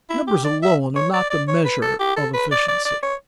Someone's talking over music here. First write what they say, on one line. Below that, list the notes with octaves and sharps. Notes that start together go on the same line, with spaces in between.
Numbers alone are not the measure of efficiency.
E4
G4
D5
E5
C#5
D5
D5
C#5
B4
A4
G4
A4
B4
D5
D5
D5
C#5